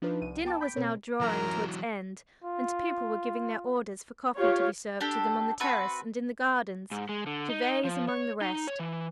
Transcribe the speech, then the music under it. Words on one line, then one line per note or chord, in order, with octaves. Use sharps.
Dinner was now drawing to its end, and people were giving their orders for coffee to be served to them on the terrace and in the gardens, Gervase among the rest.
F3 D4 D#4 F4 B4
C2 D#7
B3 G5 A5 D6
B5 G6 B6 D7
B2 C4 A#4 C#5
F#2 E3 F#3 A#4 A#5
F4
F4 G4 C#5
D4 G4 A4
C4 F#4 B4 A5
G#2
G#3
D3
D#4
F3
C#5
D#4
C#5
E3